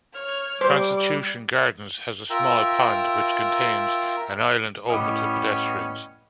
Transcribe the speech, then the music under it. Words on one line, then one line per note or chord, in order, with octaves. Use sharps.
Constitution Gardens has a small pond, which contains an island open to pedestrians.
C#5 F6
G3 C5 D6
F4 A#4 E5 G5 A#5 E6
A2 G3 B3 C#4 D#5 B5 D6 D#6